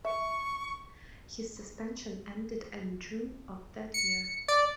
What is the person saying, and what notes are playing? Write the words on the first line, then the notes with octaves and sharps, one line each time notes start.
His suspension ended in June of that year.
E5 C#6
C#7
D5